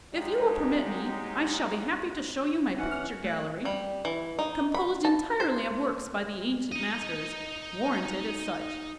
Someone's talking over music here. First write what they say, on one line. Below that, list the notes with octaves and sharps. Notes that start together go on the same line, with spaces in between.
If you will permit me, I shall be happy to show you my picture gallery, composed entirely of works by the ancient masters--warranted as such.
F#3 G#3 D#4 G4
E3 C#4 D#4 F#5
F6
A3 F#6
G3
E3
D#4
B5
A5
C5
D#4 D#5